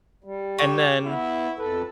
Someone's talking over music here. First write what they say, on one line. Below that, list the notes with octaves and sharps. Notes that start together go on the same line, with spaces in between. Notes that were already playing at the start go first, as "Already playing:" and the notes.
And then,
G3
G4 C#5
B3 E4
F2 A4 B4